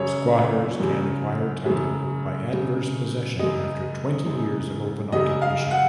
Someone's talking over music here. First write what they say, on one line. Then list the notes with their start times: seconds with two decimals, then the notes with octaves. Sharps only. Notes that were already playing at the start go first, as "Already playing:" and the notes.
Squatters can acquire title by adverse possession after twenty years of open occupation.
Already playing: F#2 C#3 C#5
0.80 F#2 C#3
1.66 F#2 C#3
2.53 F#2 C#3
3.39 F#2 C#3 D#5
4.26 F#2 C#3
5.12 F#2 C#3 D#5
5.42 F5
5.71 F#5